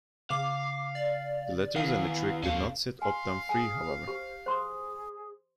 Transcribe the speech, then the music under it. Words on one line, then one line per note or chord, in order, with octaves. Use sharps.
The letters and the trick did not set Opdam free, however.
C#3 F5 D6
D5
E2 D#3 F5
D#2 C#4 A4 F5
F5 G#5 C6
G#4 G#5
G4 C5
G#4 C5 C6